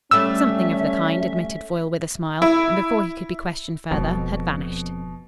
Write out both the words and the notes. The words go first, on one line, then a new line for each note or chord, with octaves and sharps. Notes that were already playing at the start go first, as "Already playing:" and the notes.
"Something of the kind," admitted Foyle with a smile, and before he could be questioned further had vanished.
G3 A3 C#4 E5 E6
E4
E1 F2 B2